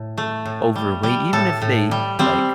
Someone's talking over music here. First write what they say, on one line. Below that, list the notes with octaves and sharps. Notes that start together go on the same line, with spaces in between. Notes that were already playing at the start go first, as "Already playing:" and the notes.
overweight even if they, like,
Already playing: A2
A3
A2
G3
G3
A2 A4
A2
G3
G3 C4